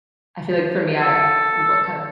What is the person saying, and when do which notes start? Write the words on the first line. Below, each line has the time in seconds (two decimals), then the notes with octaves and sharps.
I feel like for me, I what kind of m
1.02 A4